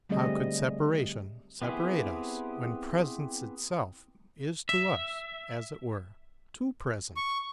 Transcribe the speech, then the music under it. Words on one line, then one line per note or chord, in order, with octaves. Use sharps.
How could separation separate us, when presence itself is to us, as it were, too present?
D3 G3 A3 C4 G#4 D#5
B3 C4 E4 G4 G#4
E5
C#6